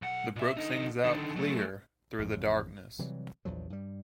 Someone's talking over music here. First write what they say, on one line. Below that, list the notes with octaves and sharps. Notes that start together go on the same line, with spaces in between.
The brook sings out clear through the darkness.
B1 F#5
A#2 E5
D3 D#4
D3 D#3
F#3 A3
A1 F2 G#2 C#3
C3 E3 F#3 G3
A#1 E2 F3 F#3
G2 G3